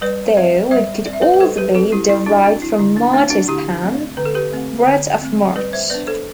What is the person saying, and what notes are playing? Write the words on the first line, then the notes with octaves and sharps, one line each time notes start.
Though, it could also be derived from martis pan, bread of March.
G3 B4 D5
C4 C5 E5
G3 C5 E5
C4 D5
E5
B4 D5
B4
G3 A4 C5
G4 B4
C4 F#4 A4
E4 G4
G3 E4
D4 F#4
C4 D4 F#4
E4
D3 E4
D4
A3 C4 D4
D4 F#4
D3 E4 G4
A3 C4
D3 B4
A4
G4 B4
A3 C4
D3
A3 C4
G3 B4 D5
C5 E5
B3 D4 B4 D5
A4 C5